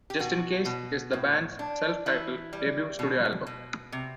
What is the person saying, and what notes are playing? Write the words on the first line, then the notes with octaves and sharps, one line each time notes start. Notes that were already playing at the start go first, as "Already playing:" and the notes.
"Justincase" is the band's self-titled debut studio album.
G4
B2 F#4
B2
A2
D4
E3 E4
G3
B2
B2
C3